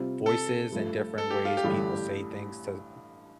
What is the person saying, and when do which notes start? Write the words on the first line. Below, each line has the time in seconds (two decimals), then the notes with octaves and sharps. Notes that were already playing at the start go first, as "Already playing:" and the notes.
voices and different ways people say things to
Already playing: C3 G3 C4 F4
0.26 A4
0.72 G2 F3 A3
1.18 A4
1.31 G4
1.45 F4
1.57 G4
1.64 A1 G2 D3 G3 D4